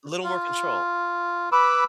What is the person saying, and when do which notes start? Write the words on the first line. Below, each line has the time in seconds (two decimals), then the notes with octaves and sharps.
Little more control.
0.24 F4
1.52 B4 B5 D6 E6